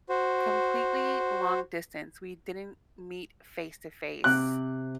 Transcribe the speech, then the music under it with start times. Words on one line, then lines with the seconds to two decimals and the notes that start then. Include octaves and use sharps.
completely long distance. We didn't meet face to face,
0.09 F#4 C5
4.24 C3 D6 F#6